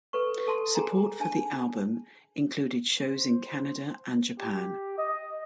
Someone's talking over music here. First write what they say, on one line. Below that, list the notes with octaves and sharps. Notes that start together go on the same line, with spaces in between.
Support for the album included shows in Canada and Japan.
A4 B4 C#6
A4 A5 C6
G#4 G5 G#5 A#5
D4 G#5 A5
C5
G4
D#5